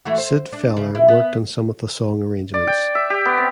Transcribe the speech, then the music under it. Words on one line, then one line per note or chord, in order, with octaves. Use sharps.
Sid Feller worked on some of the song arrangements.
E3 A3 F#4
C5
D4
C#3
E4
B3
D5
G5
E5
G4
B3
C4